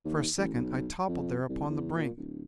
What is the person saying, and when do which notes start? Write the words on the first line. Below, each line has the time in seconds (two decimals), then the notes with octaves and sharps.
For a second I toppled there upon the brink.
0.05 D#2
0.37 A1
0.54 B1
1.08 F2
1.49 C2
1.69 E2
1.96 A#2
2.17 D1